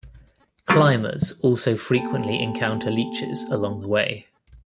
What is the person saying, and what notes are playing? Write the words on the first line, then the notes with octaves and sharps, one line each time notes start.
Climbers also frequently encounter leeches along the way.
F#3 G#3 A#3 C#4 F4 G4
A#3 B3 G4 A4 G5 A5